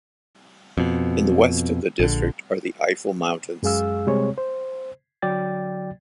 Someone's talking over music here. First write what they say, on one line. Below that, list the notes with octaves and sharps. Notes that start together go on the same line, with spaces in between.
In the west of the district are the Eifel mountains.
F2 B2
A#1 D3
F#2 G#3 G#4 F5 E6
C3 G3 G#3 C4 C#5
C5
D3 F#3 D5 G5 A6